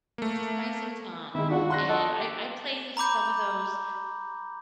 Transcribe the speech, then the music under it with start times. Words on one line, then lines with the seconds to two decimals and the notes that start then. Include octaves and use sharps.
Just nice and calm, and I I play the some of those
0.18 A3 A#3
1.35 D#3 G#3 E4
1.50 D4 F4 F#4 F#5
1.70 C6 F#6 A#6
1.88 A4 D#5
2.18 G4
2.97 A#5 B5 D6 G6